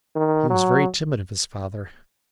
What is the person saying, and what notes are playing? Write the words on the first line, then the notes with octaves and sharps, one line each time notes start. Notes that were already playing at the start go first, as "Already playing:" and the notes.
He was very timid of his father.
D#3
F#3